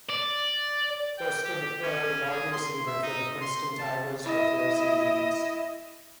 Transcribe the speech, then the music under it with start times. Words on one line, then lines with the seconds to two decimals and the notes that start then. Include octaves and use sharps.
Horsted played wide receiver for the Princeton Tigers for four seasons.
0.10 D5
1.18 G5
1.45 G4
1.62 G4
1.82 C#4
2.30 G#4
2.52 C6
2.86 E5
3.03 D#4
3.41 C6
3.79 A5
4.24 E4 D#5